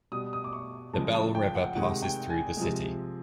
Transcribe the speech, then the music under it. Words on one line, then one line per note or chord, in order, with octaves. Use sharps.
The Belle River passes through the city.
B2 G3 D#6
D#6
D6
C#6
C#3 F3 G#3 A5
A5
G5
F#5
C3 D#3 G#3 F#5
G5
G#5
C3 F3 G#3